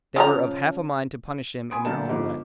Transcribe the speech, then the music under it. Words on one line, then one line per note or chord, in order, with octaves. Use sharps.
They were of half a mind to punish him in their own way.
C#3 F3 A#5
G#5 B5 C6 D#6 D7
D2 F#3 A#3 A5 E7
G1 G#2 F3 D6